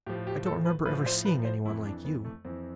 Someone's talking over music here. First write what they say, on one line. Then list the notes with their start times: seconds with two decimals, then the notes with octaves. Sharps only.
I don't remember ever seeing anyone like you.
0.07 A2 G4
0.09 F3
0.27 G4
0.46 A4
0.65 B4
0.85 A2 F3 B4
1.06 C5
1.25 B4
1.45 C5
1.65 E3 E4
1.69 F2
1.85 D4
2.05 B3
2.25 A3
2.45 F2 E3 C4